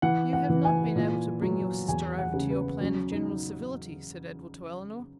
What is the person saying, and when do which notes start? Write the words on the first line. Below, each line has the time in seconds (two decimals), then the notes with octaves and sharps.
"You have not been able to bring your sister over to your plan of general civility," said Edward to Elinor.
0.02 E3 F#5
0.33 F#5
0.49 E3
0.65 G#5
0.96 A#2
1.42 F#3
1.88 E2 G#5
2.19 F#5
2.33 C#3
2.50 B4
2.80 F#3 C#4
3.12 D#4